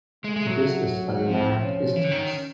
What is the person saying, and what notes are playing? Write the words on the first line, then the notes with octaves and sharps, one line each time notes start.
This is a land isthmus.
G#3 A3
G#3
F#3
F3 C4
C#4
E3
D3
D#3